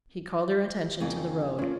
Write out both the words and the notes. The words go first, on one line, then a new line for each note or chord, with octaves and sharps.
He called her attention to the road.
F2 C#3 A#3
A#3 C#4 D4 F4